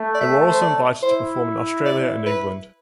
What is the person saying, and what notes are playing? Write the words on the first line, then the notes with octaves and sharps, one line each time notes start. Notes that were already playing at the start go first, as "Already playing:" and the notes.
They were also invited to perform in Australia and England.
Already playing: A3
D5
E5
C5
D5
E4 C5
D5
B4